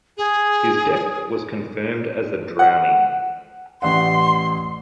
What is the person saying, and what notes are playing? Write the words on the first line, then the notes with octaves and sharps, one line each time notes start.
His death was confirmed as a drowning.
G#4
F#5
A1 D5 F#5 C6